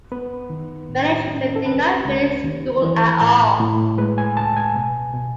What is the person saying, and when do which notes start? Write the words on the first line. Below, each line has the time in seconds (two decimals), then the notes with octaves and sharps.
Many children did not finish school at all.
0.12 B3 B4
0.50 D#3
0.89 A2
1.27 C#4
1.56 A4
1.66 C#2 B4
2.04 C#2
2.44 D#2
2.82 E3
3.21 A2
3.60 A2
3.98 G#3 B4
4.18 G#5
4.36 C#2 A5
4.57 G#5
4.76 B2
5.14 B2